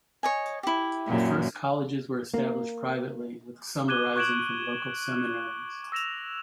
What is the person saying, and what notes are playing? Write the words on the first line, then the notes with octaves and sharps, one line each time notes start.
The first colleges were established privately, with some arising from local seminaries.
C#5 D#5 G#5
E4 G4
F#2 A#2
A#3
D6 F#6 G#6 D#7 G7
C#6 F#6 G#6 D7 E7 F#7
E6 A#6 E7 F7